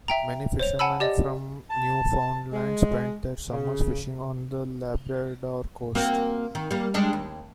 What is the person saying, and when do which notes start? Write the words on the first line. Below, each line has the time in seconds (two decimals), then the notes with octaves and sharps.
Many fisherman from Newfoundland spent their summers fishing on the Labrador coast.
0.08 E5 G5 A#5
0.59 C5 C#5 F7
0.79 F#5 G#5 A5 B5 E6
1.00 G4 D5 D#5
1.70 A5
2.53 G#3
3.50 C#3
5.95 A#3 C4 F#4
6.55 D#3
6.71 G3 A#3
6.94 G3 G#3 D4
7.13 D#2